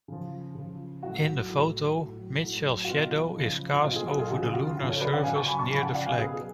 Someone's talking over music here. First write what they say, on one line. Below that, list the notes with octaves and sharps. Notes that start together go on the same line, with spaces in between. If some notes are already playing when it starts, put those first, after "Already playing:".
In the photo Mitchell's shadow is cast over the lunar surface near the flag.
C#3 F3
C#3 F3
A2 F#3 F#4
A2 F#3
A2 F#3
A2 F#3
F#4
B2 F#3 F4
C#3 F3
F4
B2 F#3 F#4
F4 G#4
F#4 A4
F4 G#4
C#3 F3 F#4
F4 G#4
F#4
F4
C#3 F3 F#4
A4 C#5
B4 D5
D5 F#5
C#3 F#3 F5 G#5
A5 C#6
G#5 B5
A5 C#6
C#3 F3 G#5 B5
F#5 A5
D5 F#5
F5 G#5
B2 F#3 G#4 B4